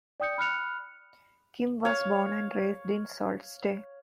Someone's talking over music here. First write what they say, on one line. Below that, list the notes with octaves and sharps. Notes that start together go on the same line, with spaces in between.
Kim was born and raised in Sault Ste.
D5 G5 D#6 G6 C#7
B5 F6 F#6 C#7 F7
C#5 F5